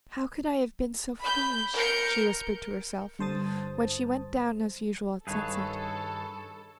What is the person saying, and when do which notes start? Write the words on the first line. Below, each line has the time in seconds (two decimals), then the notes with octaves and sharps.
'How could I have been so foolish,' she whispered to herself, when she went down as usual at sunset.
1.20 B5 G6
1.74 A#4 G6 C#7
3.19 G2 D3 C5 A5 D#6 A6
5.27 G2 D#3 G#4 A4 B4 C#5